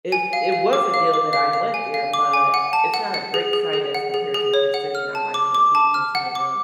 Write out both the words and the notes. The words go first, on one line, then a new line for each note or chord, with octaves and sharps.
it it was a deal that I went there, but it's not a great sight as compared to if you're sitting on Miami Beach and seeing them,
G#5
F5
F5
D6
F5
D6
F5
F5
G#5
F5
D6
G#5
F#5
A5
F#5
F#5
G#4
G#4
G#4
F#5
G#4
G#4
C#5
F#5
F6
A5
D6
D6
A5
F6
F#5
D6